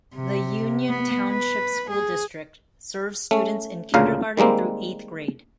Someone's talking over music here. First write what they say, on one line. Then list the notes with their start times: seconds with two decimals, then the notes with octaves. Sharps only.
The Union Township School District serves students in kindergarten through eighth grade.
0.15 C3
0.89 B3
1.30 B4
1.91 G#4
3.31 A3 C#4
3.94 D2 A#2 C#3 A#4 F5
4.37 D#3 G3 G#3 A#3 C4